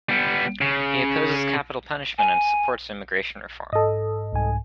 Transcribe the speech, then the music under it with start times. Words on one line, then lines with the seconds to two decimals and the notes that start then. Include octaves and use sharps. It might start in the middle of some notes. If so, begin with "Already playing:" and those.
He opposes capital punishment, and supports immigration reform.
0.09 G3 B3
0.61 C#3
2.18 G#5
3.73 G#2 A4 D#5
4.33 C2 G#2 G#5